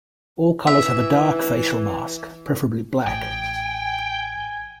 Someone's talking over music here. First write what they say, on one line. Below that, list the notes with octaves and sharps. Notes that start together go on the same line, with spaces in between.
All colors have a dark facial mask, preferably black.
E3 E5
A1 G5 G#5